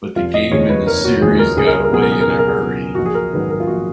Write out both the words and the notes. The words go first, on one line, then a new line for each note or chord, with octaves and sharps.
But the game and the series got away in a hurry.
F1 F4
D#5
D#2 C#3 F3 C#5
B4
F1 A#4
F#4
D#2 C#3 F3 G#4
A#4
C#2 G#4
A#4
G#4
A#4
B2 F#3 G#4
A#4
G#4
A#4
C#2 G#4
A#4
G#4
B2 F#3
A#1 F#4
G#4
A#4
G#2 D#3 F#3 B4
A#4
F4
A#1 F#4